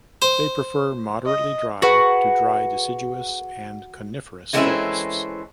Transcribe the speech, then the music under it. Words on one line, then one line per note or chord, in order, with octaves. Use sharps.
They prefer moderately dry to dry deciduous and coniferous forests.
C5
D#5
F#4 G#4 B4
E3 G#3 A3 C4 C#4 E4